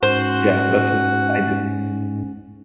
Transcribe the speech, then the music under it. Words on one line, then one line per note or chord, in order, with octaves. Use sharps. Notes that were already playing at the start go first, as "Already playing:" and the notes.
Yeah, that's what I do.
G#2 C#4 F#4 C5